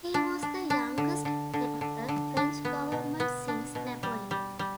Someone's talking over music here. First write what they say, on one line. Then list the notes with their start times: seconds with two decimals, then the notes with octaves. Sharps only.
He was the youngest head of a French government since Napoleon.
0.14 D4
0.43 D4
0.70 D4
0.98 D3
1.25 D3
1.53 D3
1.81 D3
2.08 D3
2.37 D4
2.65 B3
2.92 B2
3.20 B3
3.48 D4
3.75 B2
4.03 G3
4.31 G3
4.59 G3